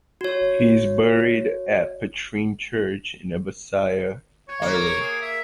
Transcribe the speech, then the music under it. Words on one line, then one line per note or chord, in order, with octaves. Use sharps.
He is buried at Petrine Church in Abbassia, Cairo.
F#4 C#5
C#5
A#3
C#5
G#4
E5